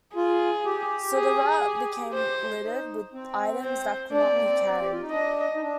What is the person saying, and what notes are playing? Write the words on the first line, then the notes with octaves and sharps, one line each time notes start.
So, the route became littered with items that could not be carried.
F4 G#4
G4
G#4
G4
C5
D#4
C4
C5
D4 D5
C4
A#3
C4
G4
F4
D#4
D4 D#5
D#4
D4